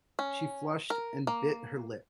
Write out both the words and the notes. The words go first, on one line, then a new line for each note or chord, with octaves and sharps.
She flushed and bit her lip.
C#4
A#4
A#3